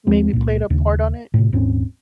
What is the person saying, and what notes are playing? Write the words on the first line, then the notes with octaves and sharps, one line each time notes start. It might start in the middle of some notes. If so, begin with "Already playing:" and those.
maybe played a part on it.
D#2 F3 G#3 C4
C#2 A#2
D#2 C#3
A2 C3
D#1 G#2 C4 C#4